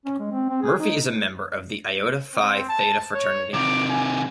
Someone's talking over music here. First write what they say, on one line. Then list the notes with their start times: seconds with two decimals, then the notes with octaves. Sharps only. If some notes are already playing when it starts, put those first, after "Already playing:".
Murphy is a member of the Iota Phi Theta fraternity.
0.06 C#4
0.19 G#3
0.32 C4
0.49 C4
0.62 G#4
0.79 D#4
2.35 C4
2.69 A5
3.14 C#5
3.54 C3 D#3 D6
3.90 G#5